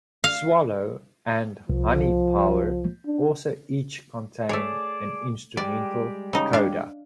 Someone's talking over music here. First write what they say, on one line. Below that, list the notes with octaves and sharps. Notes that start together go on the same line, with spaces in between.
"Swallow" and "Honey Power" also each contain an instrumental coda.
F5
C2 F3
D4
A3 G#4 C#5 D5 A5
G3 G#3 G4 D5
C#3 D#4
D4 F5